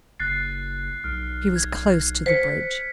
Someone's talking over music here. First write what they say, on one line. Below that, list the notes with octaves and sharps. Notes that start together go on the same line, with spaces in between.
She was close to the bridge.
F#1 F#6 A6 C7
B1 F6
G#6
C5 B6 C#7